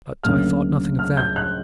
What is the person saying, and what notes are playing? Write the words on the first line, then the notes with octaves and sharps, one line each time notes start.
But I thought nothing of that.
D2 C#3 F#3 A#3 F6
F6
G6
F#6